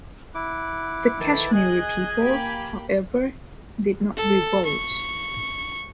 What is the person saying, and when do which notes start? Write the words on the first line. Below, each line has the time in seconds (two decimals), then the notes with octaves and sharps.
The Kashmiri people, however, did not revolt.
0.35 E4 F#5 D6
1.21 D#3 A3 B4 A5
1.53 G#4 D#5 G#5 F#6
2.22 A#3 G4 B5
4.16 A4
4.65 C#6